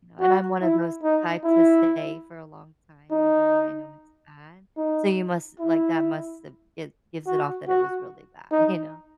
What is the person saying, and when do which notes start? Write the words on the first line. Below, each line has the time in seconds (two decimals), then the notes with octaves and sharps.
you know, and I'm one of those type to stay for a long time even when I know it's bad. So you must like, that must have it gives it off that it was really bad, you know?
0.20 F#4
0.62 E4
1.03 D#4
1.45 E4
3.11 D#4
4.77 D#4
5.60 E4
7.27 F#4
7.68 F#4
8.51 D#4